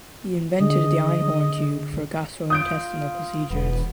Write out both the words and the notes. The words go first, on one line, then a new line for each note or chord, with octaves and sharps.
He invented the Einhorn tube for gastrointestinal procedures.
D3 D4 G#4 D#5
F4 D#6 G6 D7
E1 B3